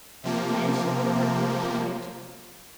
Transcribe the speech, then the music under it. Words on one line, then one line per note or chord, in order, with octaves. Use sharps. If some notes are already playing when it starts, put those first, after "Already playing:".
Then she looked after the carriage.
C3 F3 A#3